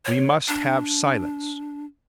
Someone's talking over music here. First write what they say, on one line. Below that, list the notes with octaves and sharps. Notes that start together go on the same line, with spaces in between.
"We must have silence!"
C#5
D4